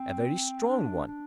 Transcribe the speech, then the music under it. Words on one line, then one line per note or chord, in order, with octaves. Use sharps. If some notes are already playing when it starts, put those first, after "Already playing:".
A very strong one.
Already playing: C4
D4
D4